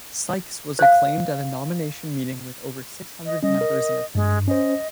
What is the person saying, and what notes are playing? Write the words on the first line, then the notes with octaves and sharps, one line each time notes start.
Sykes was acclaimed at a nomination meeting with over six-hundred members in attendance.
C5 F5
D#5
G3 C#4 D#5
A#4
G2 G#3
C#4 C5 D#5